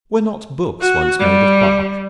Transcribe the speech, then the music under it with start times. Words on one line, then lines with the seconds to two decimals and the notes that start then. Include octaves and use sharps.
Were not books once made of Bark?
0.80 F#4
1.19 G3